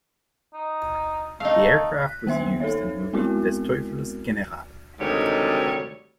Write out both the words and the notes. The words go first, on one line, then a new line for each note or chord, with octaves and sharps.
The aircraft was used in the movie Des Teufels General.
D#4
A3 D#4 F5
F#6 B6
D#3 A#3 B3 C5 E5 C6
D#4 A4 C5 C#5 E5
G#3 B3 C4 E4 F#4 A#4
D2 G#2 C3 D#3 G3 C#5